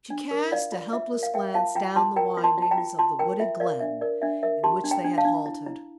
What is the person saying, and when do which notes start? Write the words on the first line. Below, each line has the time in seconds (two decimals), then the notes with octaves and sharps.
She cast a helpless glance down the windings of the wooded glen in which they had halted.
0.10 D4
0.31 A#4
0.51 F4 D5 F5
0.72 F4
0.93 F4 E5
1.13 A#4
1.23 F5
1.34 A#4 E5 G5
1.54 F4 F5 A5
1.75 F4 G5 A#5
1.96 F4 A5 C6
2.16 A#4 G5 A#5
2.37 F4
2.44 A5 C6
2.58 F4 A5
2.71 G5 A#5
2.78 F4
2.99 F4 A5 C6
3.19 A#4 G5 A#5
3.40 F4 E5
3.60 A#4 D5 F5
3.81 D4 E5
4.01 A#4 D5
4.22 D4 E5
4.43 A#4 E5
4.63 G4 A5 C6
4.84 D4
4.91 G5 A#5
5.04 D4
5.18 F5 A5
5.25 D4
5.46 E4
5.66 E4